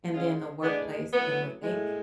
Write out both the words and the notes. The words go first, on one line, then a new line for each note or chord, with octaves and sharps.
and then the workplace and what they think?
G#2 F3 G#3 C#4 F4
A2 G#3 B3 D4
A2 F#3 B3
A2 G#3